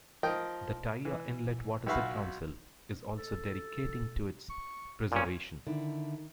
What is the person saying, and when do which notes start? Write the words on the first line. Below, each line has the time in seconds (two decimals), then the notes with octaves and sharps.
The "Taiya Inlet Watershed Council" is also dedicating to its preservation.
0.23 F3 A#4 D#5 G5
1.05 E3
1.86 B1 F4 F#4 E5 F5 B5
3.18 A4
4.50 C#6
5.12 A#2 C#4 G5
5.67 D3 D#3 E4